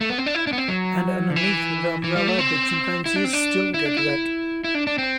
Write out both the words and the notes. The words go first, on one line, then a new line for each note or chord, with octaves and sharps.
And underneath the umbrella the chimpanzees still get wet.
A3
B3
C4
D4
E4
D4
B3
C4
F#3
D3
E3
E3
G3
A3
C4
E4
D4
C4
D4
E4
D4
E4
E4
D4
D4
C4